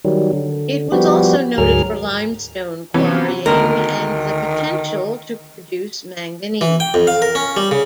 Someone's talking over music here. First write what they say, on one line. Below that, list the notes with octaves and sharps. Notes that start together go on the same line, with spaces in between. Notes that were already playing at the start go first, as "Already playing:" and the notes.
It was also noted for limestone quarrying and the potential to produce manganese.
D#3 F#3 G3
D3
F3 G3 B3 F#4 G4
D2 G#2 F#3 G#4 A#4 F6
C3 E3 F#3 B3 C#4 B4
D2 D3 D#3 B3 A#4
E3
G5
F2
F5
A#4
C#4
G3
C#3